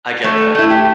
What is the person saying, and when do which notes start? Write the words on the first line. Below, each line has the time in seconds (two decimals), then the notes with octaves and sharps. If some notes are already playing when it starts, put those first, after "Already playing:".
I get that.
0.24 A3 A4
0.55 A3 E4
0.70 G4